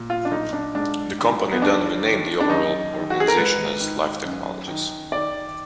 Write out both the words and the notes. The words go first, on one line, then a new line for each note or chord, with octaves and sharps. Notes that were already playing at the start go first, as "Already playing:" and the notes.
The company then renamed the overall organization as Life Technologies.
Already playing: A#2
F4
D4
B1 D#4
D4
G#2 D4
D#3
B3
D#2 D4
D#3
D4
F#2 D#4
D#3
F#4
G#4
A#4
G#2 B4
D#3
F#2
D#3
D#3 D5